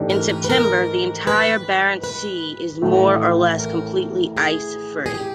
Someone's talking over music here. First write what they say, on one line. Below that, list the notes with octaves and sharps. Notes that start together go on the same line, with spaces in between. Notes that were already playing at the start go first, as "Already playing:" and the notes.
In September, the entire Barents Sea is more or less completely ice-free.
Already playing: G#2 E3 A3 D4 G4
A#4
B4
B4
A#4
B4
B4
A1 A2 E3 A3
A#4
G#4
G#4
G4